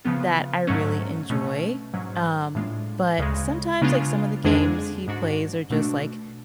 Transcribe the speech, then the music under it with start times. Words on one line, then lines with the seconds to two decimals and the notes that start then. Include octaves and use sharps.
that I really enjoy. Um, but sometimes, like, some of the games he plays are just, like,
0.05 C#3 F3 B3 F4
0.67 G#2 F#3 A3 C#4
1.30 B2 A3 C#4
1.93 G#2 F#3 C#4
2.55 A2 G#3 D4 F4
3.19 D2 C#3 G#3
3.82 C#3 G#3 B3 D4 F4
4.44 F2 D3 G#3 D4 G#4
5.08 G#2 G#3 D4 F#4
5.70 B2 A3 D4 F#4